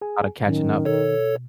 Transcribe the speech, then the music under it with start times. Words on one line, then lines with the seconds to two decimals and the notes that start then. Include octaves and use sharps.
Lotta catching up.
0.01 G#4 G#5
0.45 A2 D#3 F#3 C#4
0.85 B2 A4 C#5